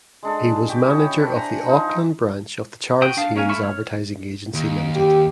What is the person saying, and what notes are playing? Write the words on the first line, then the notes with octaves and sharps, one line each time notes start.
He was manager of the Auckland branch of the Charles Haines Advertising Agency Limited.
G#3 D4 A4
F#4 G4 G5 D6
C#4 E4 C#5 D#5
D4 G4 E5 F#5
C5 F#5 G#5 A#5
F3 D#4
F#4 G5 D#6
D4 F5
A#3 C#4 C#5 F5 G#5
A3 E4 E5 C#6 F6
C#5 F6
D#2
G4